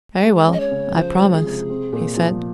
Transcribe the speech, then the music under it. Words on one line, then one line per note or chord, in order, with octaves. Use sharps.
"Very well--I promise," he said.
G#3
C#4
D#5
C#5
C#3
F3 C5
G#3
G#4
C3
C4
A#2
F3